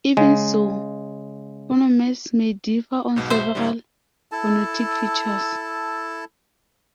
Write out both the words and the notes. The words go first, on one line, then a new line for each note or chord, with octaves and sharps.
Even so, phonemes may differ on several phonetic features.
C#3 G#3
B1 G#2 B2
C5 E5
A2 D3 G3
E4 A4 A5